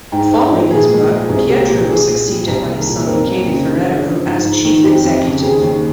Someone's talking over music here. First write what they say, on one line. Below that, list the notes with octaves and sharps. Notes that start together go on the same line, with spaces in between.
Following his work, Pietro was succeeded by his son Michele Ferrero as chief executive.
G#2 G5
G#2
F3
A#2 G#4
G#3
G#3
C2 G#4
A#3 G4
A#2 G4
A#2 G#4
A#2
G3
C2
A#3
A#2
F2 A#4
A#3
C#3
G2
G2
F3
G#2
G#2
D#3
F2 G4
F2
C#3
D#2 G#4
D#2